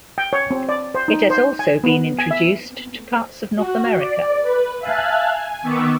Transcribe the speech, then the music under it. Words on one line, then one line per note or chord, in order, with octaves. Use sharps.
It has also been introduced to parts of North America.
G5
C#5
C4
D5
C5
D#4
C5
G#5
B3
G#5
E5
F#4
D5
B4
E5 F5 G#5 A5 F#6
G#5
D#3 B3 C#6 D6 E6